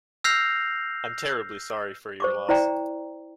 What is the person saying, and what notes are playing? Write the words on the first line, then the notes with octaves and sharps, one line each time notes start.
I’m terribly sorry for your loss.
E6 F6 G6 A#6 C7 F7
C5 C#6 D6
E4 C5 D5 G5 A#5